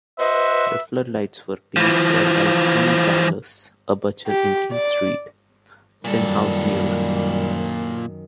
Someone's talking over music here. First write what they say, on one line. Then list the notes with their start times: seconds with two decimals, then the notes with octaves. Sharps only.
The floodlights were paid for by Tommy Douglas, a butcher in King Street, Stenhousemuir.
0.19 F#4 B4 C5 D#5 E5
1.76 E3 F3
4.28 G4
4.71 D5
6.05 F#2 A#2 D#3 G3 A4